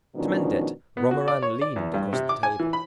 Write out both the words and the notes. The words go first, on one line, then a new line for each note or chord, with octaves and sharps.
To mend it, Romarin leaned across the table.
G#2 B2 D#3 F3 C#4 D4
B3
F#4
D5
C#5
D5
E2
G2
C3
D6
G#5
E3
B5